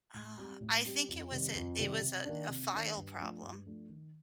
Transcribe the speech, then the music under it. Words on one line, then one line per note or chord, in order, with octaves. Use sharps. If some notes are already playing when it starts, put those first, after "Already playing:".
Ah, I think it was it it was a a file problem
A2
G3 C4 G4
A2
G3 C4 G4
F2
C3 D#3 G3 C4
F2
C3 D#3 G3 C4
C3
D#3 A#3 D4
C3
D#3 A#3 D4
G2
F3 A3 D4
G2
F3 A3 D4
D#3